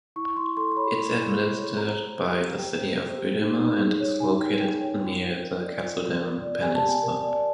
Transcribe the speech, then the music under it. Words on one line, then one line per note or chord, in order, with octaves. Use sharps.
Its administered by the city of Uruma and is located near the Katsuren Peninsula.
E4 C#6
E4 C6
A4 C6
C6
C#5 B5
E4
E4
A4
C#5
G4 A#5
C5
C5
G4
G4 G5
C5
C5
G4
D#4
D#4
G#4
C#5
D#4 G#5
D#4 G5
G#4 G5
C#5 G5
F4
F4
A#4
D5
F4
F4
A#4
D5
G4 G#5
A5
G4
G#5
A#4
D5